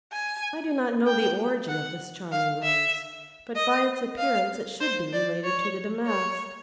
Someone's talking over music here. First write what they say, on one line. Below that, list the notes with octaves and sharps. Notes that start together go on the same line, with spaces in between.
I do not know the origin of this charming Rose, but by its appearance it should be related to the Damask.
G#5
G5
F#5
F5
E5
D#5
F5
C5
D5
C#5
C#5